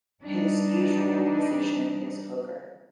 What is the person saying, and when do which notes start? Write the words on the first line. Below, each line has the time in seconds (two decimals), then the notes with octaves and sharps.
His usual position is hooker.
0.22 E3 G3 D4 D#4